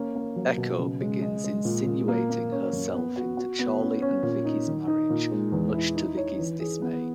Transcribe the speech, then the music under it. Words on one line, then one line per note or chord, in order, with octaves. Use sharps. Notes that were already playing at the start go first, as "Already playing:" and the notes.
Echo begins insinuating herself into Charlie and Viki's marriage, much to Viki's dismay.
Already playing: A#3 C#4
A#3
F#3
B2
C#3
G#3
D#5
G#3
A#2
A#2
A#3
A#3
C#4
F#2
B3
F#4
F#4
B3
C#4
C#4
A#2
D#4
D#3
D#4
A#2
G#3
E2
E4
D#4
C#5
E3
G#4
B3